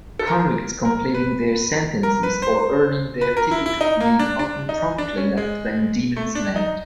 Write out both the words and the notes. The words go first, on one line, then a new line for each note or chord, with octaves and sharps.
Convicts completing their sentences or earning their ticket-of-leave often promptly left Van Diemen's Land.
A4
A#4
A#4
B4
A#4
B4
C5
B4
A#4
E4
E4
D#4
A#3
D4
D4
D#4
D4
C#4
G#3
A3
D4
D#4